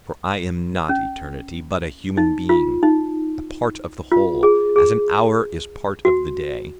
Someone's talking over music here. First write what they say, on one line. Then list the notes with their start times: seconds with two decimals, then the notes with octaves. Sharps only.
For I am not Eternity, but a human being--a part of the whole, as an hour is part of the day.
0.89 C#4
2.17 D#4
2.49 F4
2.83 D#4
4.12 F4
4.43 G#4
4.76 G#4
6.05 F#4